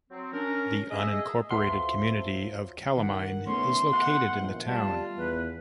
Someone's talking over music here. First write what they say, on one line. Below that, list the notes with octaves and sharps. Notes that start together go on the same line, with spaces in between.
The unincorporated community of Calamine is located in the town.
F#3 C4
C#4 D4 A#4
G#4 D#5 E5
D2 F3 F#3 A4 B4 E5 C6 B6
D#3 F#5
A3 B3 C#4 C6
F#5
A#1
G3 F4 A5
E2 B4